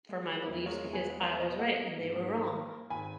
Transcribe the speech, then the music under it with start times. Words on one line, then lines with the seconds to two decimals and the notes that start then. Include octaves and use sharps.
for my beliefs because I was right and they were wrong.
0.09 G#3
0.28 G#3
0.47 E2
0.66 G#3 A#4 C#5
0.84 E2
0.93 G#4 B4
1.04 G#3
1.21 E2 A#4 C#5
1.40 B2 B4 D#5
1.59 B2 D#5 F#5
1.78 A#3
1.97 G#2
2.16 G#2
2.34 G#2
2.53 A#3
2.71 A#3
2.90 G#1 G#5 B5